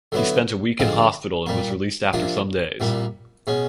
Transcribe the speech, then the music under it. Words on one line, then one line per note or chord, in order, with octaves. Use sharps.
He spent a week in hospital, and was released after some days.
D3 F#3 B3 E4
D3 F3 G#3 C4 F4
A#2 G3 A#3
C3 F3 A#3 D4 F4
C2 A#2 G3 A#3
B2 G#3 C#4